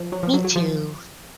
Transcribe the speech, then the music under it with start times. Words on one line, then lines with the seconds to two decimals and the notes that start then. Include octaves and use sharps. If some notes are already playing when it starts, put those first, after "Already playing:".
Me too.
Already playing: F3
0.12 F#3
0.23 F3
0.34 F#3
0.44 F#3
0.56 F3